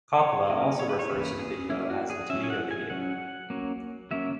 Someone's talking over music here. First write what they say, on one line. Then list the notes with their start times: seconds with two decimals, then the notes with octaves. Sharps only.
Coppola also refers to the video as the "tomato video".
0.19 C#5
0.49 F#3 A#3 C#4 D#5
0.80 C#5
0.89 B4
0.99 C#5
1.09 E3 A#3 C#4 B4
1.40 G#4
1.70 F#3 A#3 C#4 E4
1.90 F#4
2.10 G#4
2.30 F#3 C#4 E5
2.44 G#5
2.50 F#5
2.71 G#5
2.90 F#3 C#4 F#5
3.50 F#3 A#3 C#4
4.11 F#3 A#3 C#4 E5